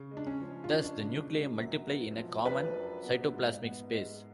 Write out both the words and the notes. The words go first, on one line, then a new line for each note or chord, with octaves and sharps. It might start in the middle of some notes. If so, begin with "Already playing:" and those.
Thus, the nuclei multiply in a common cytoplasmic space.
Already playing: C#3
G#3
D4
C#4
F3
F4
C#4 D4
C#3
G#3
F#2
B3
F3
D4 B4
F#2
B3
G#2
B3
G#3